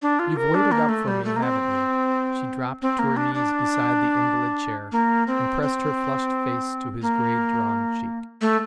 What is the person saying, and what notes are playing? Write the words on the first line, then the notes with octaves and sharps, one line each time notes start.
"You've waited up for me, haven't you?" She dropped to her knees beside the invalid chair and pressed her flushed face to his gray, drawn cheek.
D4
F4
A#4
D4
A#3
A3
G3
A3
A#3
C4
C4
A#3
D4
D4
A#3
C4
C4
A#3
A3